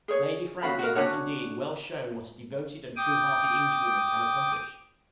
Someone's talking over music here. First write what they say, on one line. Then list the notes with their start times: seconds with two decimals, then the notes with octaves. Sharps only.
Lady Franklin has, indeed, well shown what a devoted and true-hearted English woman can accomplish.
0.08 G#4 C#5
0.63 C#4 F#4 F5 B5
0.79 F#4 A#4
0.95 C#4 D4 F#4 C#5
2.96 G5 D6 D#6